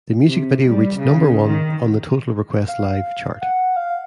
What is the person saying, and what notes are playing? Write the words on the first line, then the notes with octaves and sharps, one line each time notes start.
The music video reached number one on the "Total Request Live" chart.
C3
G3
C#3
D#3
F5
F#5
F5